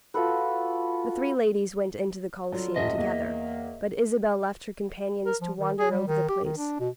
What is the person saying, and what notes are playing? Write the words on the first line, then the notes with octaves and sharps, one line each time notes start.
The three ladies went into the Coliseum together, but Isabel left her companions to wander over the place.
F4 F#4 A4 B4
D3 F#3 G3 F4
D#1 F#2 A2 D#5 E5
E2 A#3
A#4
F3
D#3
G#4
G3
D#3
G4
D#3
D4
B2